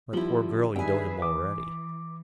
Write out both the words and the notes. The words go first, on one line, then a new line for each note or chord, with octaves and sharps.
"My poor girl, you know him already."
D3 F3 G3 E4 F#7 G7
G2 D#3 G#4 B4 E5 G5 G#5
E3 D6 D#6